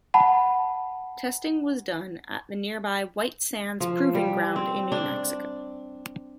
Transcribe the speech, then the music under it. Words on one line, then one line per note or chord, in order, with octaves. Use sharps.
Testing was done at the nearby White Sands Proving Ground in New Mexico.
F#5 A5 B5
F3
G3
C4
D4